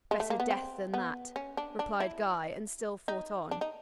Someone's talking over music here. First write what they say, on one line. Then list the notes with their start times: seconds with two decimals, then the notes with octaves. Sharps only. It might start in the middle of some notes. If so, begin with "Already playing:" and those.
"Better death than that," replied Guy, and still fought on.
0.11 G#3
0.20 A3
0.30 A#3
0.40 B3
0.51 C4
0.94 B3
1.36 C#4
1.57 D4
1.79 D4
2.00 E4
3.08 D#4
3.51 D4
3.61 D#4